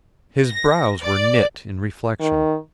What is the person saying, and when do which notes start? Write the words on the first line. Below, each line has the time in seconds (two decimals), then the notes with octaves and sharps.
His brows were knit in reflection.
0.50 A#6
1.02 D5
2.20 D#3